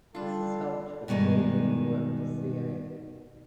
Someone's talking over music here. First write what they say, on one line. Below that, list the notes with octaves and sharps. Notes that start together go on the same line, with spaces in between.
This has helped with the dating of the work to ca.
G3 D4 F4 A4
G2 B2 D#3 G3 G#3